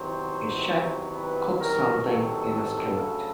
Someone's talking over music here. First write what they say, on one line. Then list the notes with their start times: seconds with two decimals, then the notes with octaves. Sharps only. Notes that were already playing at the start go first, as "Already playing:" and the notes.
A chef cooks something in a skillet.
Already playing: E2 C3 D#3 F#3 C5
1.12 B4
1.59 A#4
2.03 A4
2.93 D2 C#3 F#3